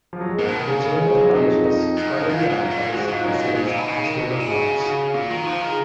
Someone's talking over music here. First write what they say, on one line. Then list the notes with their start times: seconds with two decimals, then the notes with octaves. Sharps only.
The journal publishes scholarly articles, essays, and student notes.
0.13 F3
0.21 F#3
0.29 G#3
0.38 G#2 A#3
0.48 B2
0.59 D#3
0.69 C#3
1.02 G#3
1.18 F#3
1.33 F2 D#4
1.65 D#4
1.97 F#2
2.13 F2
2.29 F#2 F4
2.39 G#2
2.50 G#2
2.61 F#2
2.71 G#2
2.82 A#2
2.92 G#2 F#4
3.08 G#2 F4
3.24 F#2 D#4
3.40 G#2
3.55 G#2
3.66 A#2
3.76 B2
3.87 C#3 D#4
4.04 D#3
4.19 B2
4.30 A#2
4.40 C#3
4.45 G#4
4.51 F#4
4.83 F#4
5.14 A#2 F4
5.30 D#3
5.46 F3
5.62 D#3 G#4